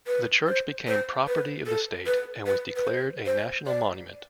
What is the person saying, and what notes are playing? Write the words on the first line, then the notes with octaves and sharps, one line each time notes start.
The church became property of the state and was declared a national monument.
B4
C5
C5
B4
A4
B4
B4
B4
C5
C5
D5